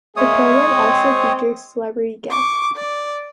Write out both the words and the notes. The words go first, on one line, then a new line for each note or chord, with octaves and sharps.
The program also features celebrity guests.
G#3 A#3 G#4 C#5 E5 D#6
C4
C#6 D6
D5